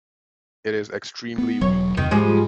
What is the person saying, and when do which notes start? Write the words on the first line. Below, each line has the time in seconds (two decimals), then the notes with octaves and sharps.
It is extremely weak.
1.38 B3
1.61 E1 F#3 C#5
1.97 E2 C3 D#3
2.11 G#2 F3 G3 G#3